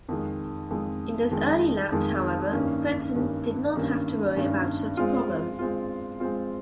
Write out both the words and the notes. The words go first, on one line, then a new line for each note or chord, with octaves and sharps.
In those early laps, however, Frentzen did not have to worry about such problems.
F2 D#3 G#3
F2 D#3 G#3
F2 D#3 G#3
F2 D#3 G#3
G2 D#3 A#3 C#4
G2 D#3 A#3 C#4
G2 D#3 A#3 C#4
G2 D#3 A#3 C#4
G#3 C4 F4
G#3 C4 F4
G#3 C4 F4